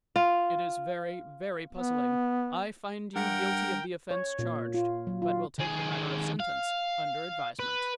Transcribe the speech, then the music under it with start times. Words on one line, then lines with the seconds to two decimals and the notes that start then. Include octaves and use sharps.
"It is very, very puzzling-I find you guilty of the offense charged, but will take the matter of sentence under advisement."
0.16 F4
1.73 B3
3.16 G2 A#4 F#5 G5
4.11 C#5
4.39 A#2
4.74 F4
5.07 F#3
5.22 F4
5.59 D#2 G#4
6.40 F5
7.59 B4